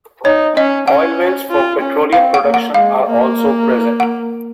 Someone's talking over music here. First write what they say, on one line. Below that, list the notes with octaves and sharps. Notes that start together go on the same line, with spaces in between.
Oil wells for petroleum production are also present.
D#4 C#5
C#4 D#5
C#4 F#5
F4
C#4
C4 F5
F#5
A#3
F#5
G#3 F5
A#3
F#5